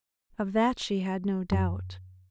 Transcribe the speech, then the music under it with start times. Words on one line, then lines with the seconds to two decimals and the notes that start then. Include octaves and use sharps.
Of that she had no doubt.
1.52 F#2